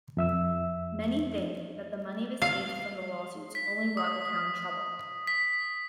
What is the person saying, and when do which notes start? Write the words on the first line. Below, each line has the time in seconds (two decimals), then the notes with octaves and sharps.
Many think that the money received from the lawsuits only brought the town trouble.
0.17 F2 E5 E6
2.42 F5
3.55 B6
3.97 D#6
5.27 B6